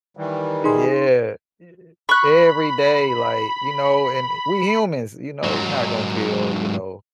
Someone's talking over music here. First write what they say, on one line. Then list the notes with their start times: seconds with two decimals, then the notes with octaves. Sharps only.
Yeah, e e every day, like, you know, and we humans, you know, we not gonna feel, you know
0.17 D#3 E3 G3
0.64 D#4 G#4 C6
2.09 B5 C#6 F#6
5.44 G#2 F#3